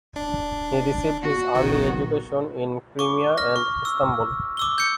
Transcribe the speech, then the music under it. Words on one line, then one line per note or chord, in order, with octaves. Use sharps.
He received his early education in Crimea and Istanbul.
D#1 D4
F#4
F1 B1 A#2 D#3
C#6 D6
F6 A#6
C#6
E6
D6 E6 G7
G6 C#7